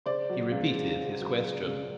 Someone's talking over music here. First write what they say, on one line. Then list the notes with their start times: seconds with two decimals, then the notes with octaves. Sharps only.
He repeated his question.
0.06 C#3 C5 D5
0.30 F#3
0.51 C#2
0.75 C#3
0.97 C#3
1.20 F#3
1.43 C#3
1.66 C#2